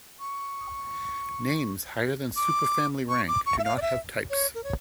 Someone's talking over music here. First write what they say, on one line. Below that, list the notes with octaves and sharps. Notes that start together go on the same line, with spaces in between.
Names higher than superfamily rank do not have types.
C#6
D6
C#6
D6
C#6
E5
F5
D5
E5
C#5
A#4
C#5